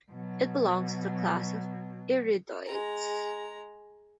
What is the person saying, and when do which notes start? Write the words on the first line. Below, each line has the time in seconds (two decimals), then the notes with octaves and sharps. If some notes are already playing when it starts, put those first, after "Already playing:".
It belongs to the class of iridoids.
0.11 B2 F#3
2.67 G#3 A#5